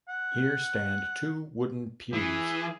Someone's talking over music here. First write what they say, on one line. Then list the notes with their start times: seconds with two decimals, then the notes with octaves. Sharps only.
Here stand two wooden pews.
0.09 F#5
2.13 E3 G#4